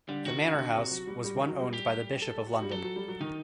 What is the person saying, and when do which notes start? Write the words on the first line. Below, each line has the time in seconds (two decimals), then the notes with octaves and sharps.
The manor house was one owned by the Bishop of London.
0.09 D3 G3
0.25 D#3 F#4
0.42 D3
0.54 D#3
0.58 D3
0.75 C3
0.91 F#3
1.07 G3
1.24 G3
1.36 D#3
1.48 F#3
1.61 G3
1.73 G4
2.22 A4
2.47 F#4
2.62 G3
2.71 F#3 A4
2.84 F#3
2.96 G3
3.08 F#3
3.20 D#3 D#4